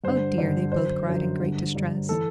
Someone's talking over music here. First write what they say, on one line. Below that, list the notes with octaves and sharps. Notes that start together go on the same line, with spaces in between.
"Oh, dear!" they both cried in great distress.
G2 D3 C5
G2 D3
F#2 D3 C5
F#2 D3
G2 D3
G2 D3
E3 A4